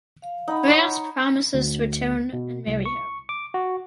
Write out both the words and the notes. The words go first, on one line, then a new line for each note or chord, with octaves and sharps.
Paras promises to return and marry her.
F5
D#4 F#5 B5
C#5 D#5
D2
B2
C2
C#6
D6
F#4